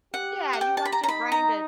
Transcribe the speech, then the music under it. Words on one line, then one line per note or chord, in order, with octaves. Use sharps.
Yeah, you want your brain to
G4 F#5
F#5
G5
A5
B5
A#5
A#5
D#4 B5
A#5